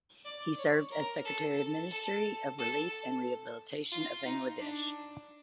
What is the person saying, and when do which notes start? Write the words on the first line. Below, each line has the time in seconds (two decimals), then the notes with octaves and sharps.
He served as Secretary of Ministry of Relief and Rehabilitation of Bangladesh.
0.25 D5
0.58 C#5
0.92 A#4
1.25 A4
1.58 A4
1.91 A4
2.59 A4
3.92 F4
4.25 D#4
4.59 D4